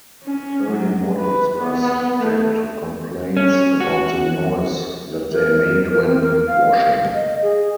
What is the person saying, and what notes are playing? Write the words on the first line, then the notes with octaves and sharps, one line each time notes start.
Early models were subject to complaints about the noise that they made when washing.
C#4
F#3
B4
B3
A3
C#4
F#4
A#4
C4
A#4
F5
D#5
G#4